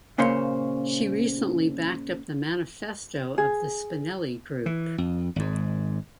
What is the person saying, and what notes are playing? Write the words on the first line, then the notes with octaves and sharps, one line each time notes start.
She recently backed up the Manifesto of the Spinelli Group.
A#2 C#3 A#3 C5 C#5
G#4
E3
F2
G#1 G#2